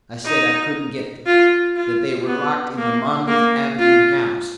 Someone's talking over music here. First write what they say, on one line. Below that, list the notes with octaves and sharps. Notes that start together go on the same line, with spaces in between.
I said I couldn't get them--that they were locked in the Monmouth Avenue house.
D#4
F4
F4
B3
A#3
A#3
F4